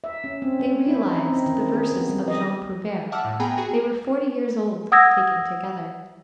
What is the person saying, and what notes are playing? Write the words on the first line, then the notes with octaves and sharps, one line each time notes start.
They realized the verses of Jean Prouvaire; they were forty years old taken together.
E5
C#4
C4
C#4
E4
D#4
C4
D#3
G#4
B3
G3
D#5
E5 F#5 A5 D6 E6 F6
A2
B3 G#4 G5 G#5 A#5 B5
F#4 G#4
F#5 D#6 E6 G#6 A#6